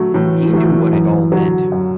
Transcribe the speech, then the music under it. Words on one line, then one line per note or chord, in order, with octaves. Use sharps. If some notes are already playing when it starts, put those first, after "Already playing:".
He knew what it all meant.
Already playing: F#3 A3
A2 E3
F#3 A3
F#2
D3 F#3
F#2